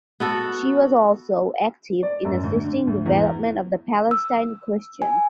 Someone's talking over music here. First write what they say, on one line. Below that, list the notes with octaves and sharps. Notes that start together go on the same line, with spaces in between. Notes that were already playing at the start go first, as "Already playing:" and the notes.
She was also active in assisting development of the Palestine question.
B3 F#4 A4
D5
F#2
D2
D3
D2
E2
E6
G#5